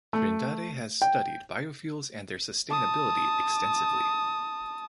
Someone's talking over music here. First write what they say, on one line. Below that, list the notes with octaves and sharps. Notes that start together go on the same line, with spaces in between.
Trindade has studied biofuels and their sustainability extensively.
A3
G5
A5 D#6